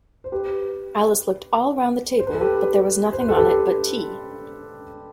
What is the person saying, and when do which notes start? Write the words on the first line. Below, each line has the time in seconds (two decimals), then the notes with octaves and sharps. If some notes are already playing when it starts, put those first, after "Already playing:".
Alice looked all round the table, but there was nothing on it but tea.
0.24 C5
0.32 G4 B4
2.20 C5
2.27 B4
2.34 A4
2.41 G4 B4
3.12 C5
3.21 B4
3.29 A4
3.37 G4 B4